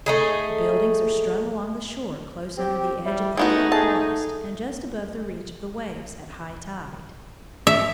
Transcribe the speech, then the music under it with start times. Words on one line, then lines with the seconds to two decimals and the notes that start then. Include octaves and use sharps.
The buildings are strung along the shore close under the edge of the thick forest and just above the reach of the waves at high tide.
0.06 A3 D#4 G#4
2.58 C4 G4
3.05 G3 E4
3.37 C#3 E3 A3 B3 D#4 F#4
3.72 A3 G#4 A5
7.67 E5